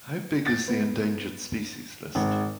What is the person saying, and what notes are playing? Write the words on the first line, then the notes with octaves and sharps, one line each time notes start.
How big is the Endangered Species List?
A6
B3
G#1